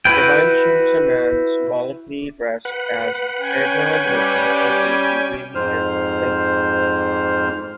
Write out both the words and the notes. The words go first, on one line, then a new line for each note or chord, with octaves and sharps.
Devine shoots a man symbolically dressed as Abraham Lincoln, thinking he really is Lincoln.
E4 F#4 B4 G5
B4 F#5
C#4 G5 G#5
G3
F2 G#2 C5 F6